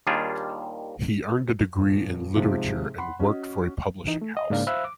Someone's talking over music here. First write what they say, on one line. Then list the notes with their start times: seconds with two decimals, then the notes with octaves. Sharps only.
He earned a degree in literature and worked for a publishing house.
0.07 D#2 D#3 G3 D4 F4 G#4
1.80 D#1
2.36 G#2 C3 F3 G#3
2.98 F#5 B5 C6
3.20 C#4 F#4 D#5
4.07 E3 D#4
4.21 A3
4.37 D#5
4.50 G#2 C#3 A#3 D4 D5 F5
4.67 C5 E5 F5 B5 E6 F#6
4.84 D6